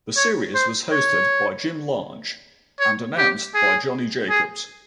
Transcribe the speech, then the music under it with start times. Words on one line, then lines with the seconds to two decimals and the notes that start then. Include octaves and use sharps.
The series was hosted by Jim Lange and announced by Johnny Jacobs.
0.17 C#5
0.55 C5
0.92 C#5
2.80 C#5
3.18 G4
3.55 G#4
4.30 G#4